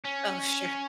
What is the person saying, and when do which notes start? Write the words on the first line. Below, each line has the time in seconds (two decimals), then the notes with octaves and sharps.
Oh, sure.
0.05 C#4